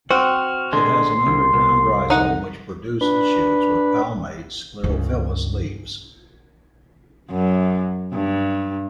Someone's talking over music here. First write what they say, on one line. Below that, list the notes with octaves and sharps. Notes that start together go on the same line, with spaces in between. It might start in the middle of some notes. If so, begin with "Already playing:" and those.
It has an underground rhizome which produces shoots with palmate, sclerophyllous leaves.
C4 F#4 F6
D3 G#3 C6
C2
C2
D3 D#4 F#5
D4 B4
C#2 G2
F#2
G2